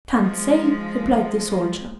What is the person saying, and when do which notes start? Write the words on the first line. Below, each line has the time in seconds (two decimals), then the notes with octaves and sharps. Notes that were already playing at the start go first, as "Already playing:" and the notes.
"Can't say," replied the soldier.
0.20 F3 G#3